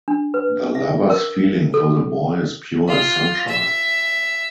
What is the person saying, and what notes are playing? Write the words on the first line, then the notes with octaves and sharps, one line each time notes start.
The lover's feeling for the boy is pure as sunshine.
D4
B4
E5
A#4
A4
F4
E5